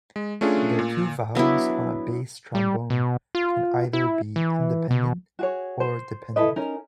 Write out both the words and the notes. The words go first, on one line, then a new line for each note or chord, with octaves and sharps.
The two valves on a bass trombone can either be independent or dependent.
G#3
A3 C#4 D4 F4 G#4
A#2
F#3 B3 D4 E4
G3
B2
F4
E4
E3
B2
F#4 G#4 C#5
C5
E4 A4 B4 D#5
C#4 D#4 A#4